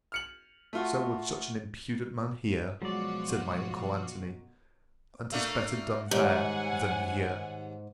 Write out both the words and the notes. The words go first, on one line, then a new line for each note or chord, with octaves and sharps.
So would such an impudent man here, said my uncle Antony: and 'tis better done there than here.
F6 C#7 F#7
A3 F4 F#4
B2 F3 F#3 G#3 F4 F#4 D5
A3 A#3 D4
D#2 G#2 G3 G4 C#5 F#5 G#5